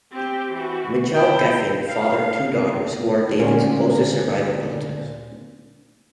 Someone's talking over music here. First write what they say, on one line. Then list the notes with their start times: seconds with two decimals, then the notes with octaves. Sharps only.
Mitchell Geffen fathered two daughters, who are David's closest surviving relatives.
0.11 C4 G4
0.52 E3 F#4
1.13 E4 G5
1.88 F5
3.39 D2 A#2 G#3 C#4 A#4 C5